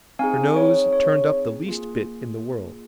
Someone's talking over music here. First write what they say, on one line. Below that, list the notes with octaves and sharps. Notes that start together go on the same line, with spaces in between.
Her nose turned up the least bit in the world.
C4 D#4 G#4 F5 G#5
C#5
C#5
A#3 F4 G#4